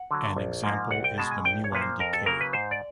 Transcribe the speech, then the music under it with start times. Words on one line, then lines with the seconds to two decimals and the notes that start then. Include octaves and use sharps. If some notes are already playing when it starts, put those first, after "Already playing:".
An example is the muon decay.
Already playing: F#5
0.11 D3 F#3
0.36 A#1
0.64 G#2 F3 A#3
0.91 C2 F#5
1.04 G5
1.18 B2 G#3 A5
1.31 G#5
1.45 A#1 G5
1.64 C#5
1.72 A#2 F3 A#3 B4
1.81 C5
2.00 F2 A#4
2.13 A4
2.26 C#3 F#3 A#3 A#4
2.41 B4
2.53 G#2 C5
2.71 D5